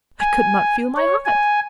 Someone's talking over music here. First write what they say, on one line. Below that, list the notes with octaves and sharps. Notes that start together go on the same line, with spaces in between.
I could not feel my heart.
G#5
C#5
G#5